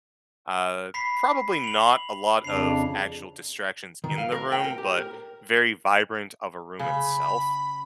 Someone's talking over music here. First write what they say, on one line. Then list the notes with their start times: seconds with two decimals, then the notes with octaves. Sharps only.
uh, probably not a lot of actual distractions in the room, but very vibrant of a room itself,
0.94 B5 B6 C7
1.64 F7 F#7
2.44 F2 C#3 D4 C7 F7
4.04 D#3
4.18 F5
4.32 A#4
4.52 G5
4.64 A#4
4.78 G4
4.97 A#4
6.79 C#3 B5